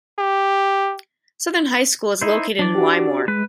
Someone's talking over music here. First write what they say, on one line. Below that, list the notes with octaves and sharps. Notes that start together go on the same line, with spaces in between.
Southern High School is located in Wymore.
G4
D#4 E4 C5
F#3 D4 D5
F#4 G4
G#3 B4